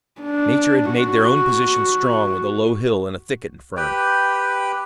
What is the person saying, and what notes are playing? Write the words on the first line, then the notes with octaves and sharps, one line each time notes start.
Nature had made their own position strong with a low hill, and a thicket in front.
D4
F#4
G4 B4 G5